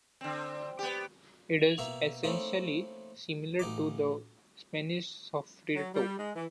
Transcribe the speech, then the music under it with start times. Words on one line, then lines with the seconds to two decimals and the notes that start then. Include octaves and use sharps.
It is essentially similar to the Spanish sofrito.
0.21 D3 C4
0.79 B3 G4
1.78 B2 A#3 E5 A#5
2.24 A3 A#3 C4 C#4 D#4 E4
3.59 A1 D#4 D6
5.75 F#3
5.94 G3
6.18 G#3
6.36 E3